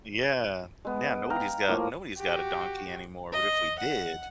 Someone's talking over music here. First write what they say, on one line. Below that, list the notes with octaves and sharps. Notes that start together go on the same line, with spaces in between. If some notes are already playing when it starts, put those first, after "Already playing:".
Yeah, now nobody's got nobody's got a donkey anymore, but if we did
G#3 B3
F5 G5 A#5
A2 F3 A#3
F#4 G4
D#5
F#5